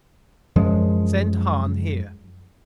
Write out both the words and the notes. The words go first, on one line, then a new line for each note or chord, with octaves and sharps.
Send Hahn here.
F#2 F3 G#3